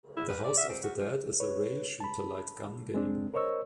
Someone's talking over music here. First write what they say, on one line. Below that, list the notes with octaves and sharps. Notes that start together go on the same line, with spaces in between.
"The House of the Dead" is a rail shooter light gun game.
E4
B4
D5
E5
C4
F#4
F3
B4 C#5
A5 B5
G#3 C4 D4
A#4 C5 C#5 D#5 C#6 E6